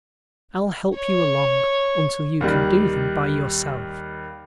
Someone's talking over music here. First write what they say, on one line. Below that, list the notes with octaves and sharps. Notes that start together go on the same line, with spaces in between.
I'll help you along until you can do them by yourself.
C#5
D#2 D#3 G3